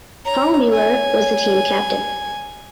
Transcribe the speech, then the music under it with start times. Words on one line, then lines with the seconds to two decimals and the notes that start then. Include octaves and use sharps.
Paul Mueller was the team captain.
0.25 C#5 A#5
0.73 G#5